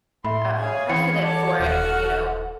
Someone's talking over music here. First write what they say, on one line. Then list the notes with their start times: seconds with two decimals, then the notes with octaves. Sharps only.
um, precedent for it, you know,
0.24 A2 E5 B5 C6
0.57 G#4 C#5 F5 G#5
0.89 E3 B5 C#7
1.21 A4 C#5 F#5 A5 D6
1.60 D#1 F#4 F6